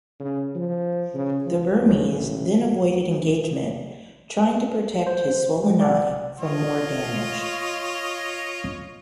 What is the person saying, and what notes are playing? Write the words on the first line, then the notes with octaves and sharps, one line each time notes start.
The Burmese then avoided engagement trying to protect his swollen eye from more damage.
C#3
F3
C#3
F3
D#2
A1
C5
G#3
D5 F#5
F4 C#5 D#5